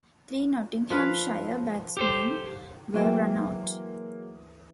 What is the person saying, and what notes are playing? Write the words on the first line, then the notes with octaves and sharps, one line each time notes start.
Three Nottinghamshire batsmen were run out.
F3 B4 F5
G4 A4 C5
E3 F#3 G#3 A#3 C4